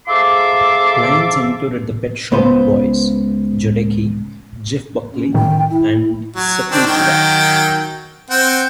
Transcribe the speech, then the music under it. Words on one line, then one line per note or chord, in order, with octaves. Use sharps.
Clients included the Pet Shop Boys, Jodeci, Jeff Buckley and Sepultura.
G#2 F4 A4 E5 C6 D6
C#2 B3 B4 C5
C#4
A2 D#3 G5
E4
F#3
D#3 C4 D4
D#3 F#3 G5
C4 F#5 G5